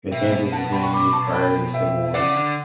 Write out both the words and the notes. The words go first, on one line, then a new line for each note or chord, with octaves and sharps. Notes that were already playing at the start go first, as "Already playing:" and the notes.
The campus has been in use prior to the Civil War.
B2 E5 G5
F#5 A5
G5 B5
C#6
B5 D6
A5 C#6
G5 B5
E5 G5
C#3 D5 F#5
D3